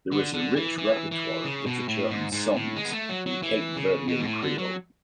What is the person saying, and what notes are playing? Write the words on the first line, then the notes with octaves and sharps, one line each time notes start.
There is a rich repertoire of literature and songs in Cape Verdean Creole.
D3
D3
E3
E3
E3
C#3
B2
A2
G#2
G#2
A2
G#3
B3
A3
F#3
F#3
E3
C#3
B2
G#2
A2
D3
F#3